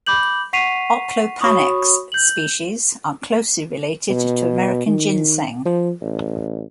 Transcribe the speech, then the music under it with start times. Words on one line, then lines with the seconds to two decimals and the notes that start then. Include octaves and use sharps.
"Oplopanax" species are closely related to American ginseng.
0.07 B5 D6 G6 F#7
0.53 F#5 C#6 B6 C7 D#7 F7
1.41 F#4 C#5 B5 C#6 D#6
2.12 G6 F#7
4.10 B2
4.87 D#3
5.65 F3
6.01 A1